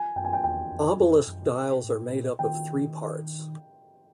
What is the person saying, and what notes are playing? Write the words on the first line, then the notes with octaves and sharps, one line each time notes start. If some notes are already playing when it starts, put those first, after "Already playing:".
Obelisk dials are made up of three parts.
Already playing: G#5
F#2 G5
G#5
G5
E2 G5
F2
F2
F#2
A2
A#2
D#3 G5